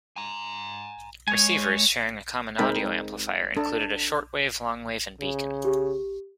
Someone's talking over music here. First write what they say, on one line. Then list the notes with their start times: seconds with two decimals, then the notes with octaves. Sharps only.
Receivers, sharing a common audio amplifier, included a short wave, long wave and beacon.
0.16 G#5 A#5
1.28 G#3 C#5 G#5
2.58 G#3 C4 D#4 A#4 G5 B5
3.57 D4 A4
5.20 C#3
5.65 G4